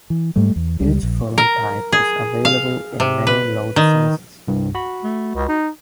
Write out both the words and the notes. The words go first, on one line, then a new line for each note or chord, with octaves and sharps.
Each film type is available in many load sizes.
E3
G#2 G3 A3
E2
C#2 G3
A#1
A#4
G#4
F5
C3
B4
D#3
C2 G2
F#4 B5
A3
C#2
D#4